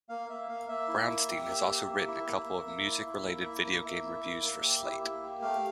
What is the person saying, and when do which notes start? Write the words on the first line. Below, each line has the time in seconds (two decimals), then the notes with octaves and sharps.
Brownstein has also written a couple of music-related video game reviews for "Slate".
0.09 A#3 F5
0.29 A#3 E5
0.49 A#3 F5
0.69 A#3 E5
0.88 E4
1.08 A#3
1.28 G4
1.47 A#3
1.68 G4
1.87 A#3
2.07 E4
2.26 A#3
2.46 A#3
2.67 A#3
2.86 E4
3.06 E4
3.25 A#3
3.45 E4
3.65 A#3
3.84 A#3 E5
4.04 E4
4.24 A#3
4.43 A#3
4.63 G4
4.83 E4
5.03 A#3
5.23 G4
5.42 A3 F5